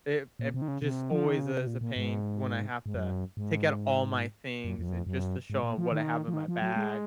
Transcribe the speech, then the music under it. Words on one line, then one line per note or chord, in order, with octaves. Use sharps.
it it just always is a pain when I have to take out all my things and just to show 'em what I have in my bag.
A#2
C3
D#3
C#3
C3
F3
D#3
C#3
C3
A#2
A#2
G#2
G#2
F#2
G#2
F#2
F2
F#2
F2
F#2
G#2
A#2
F3
D#3
F3
D#3
F3
F#3
G#3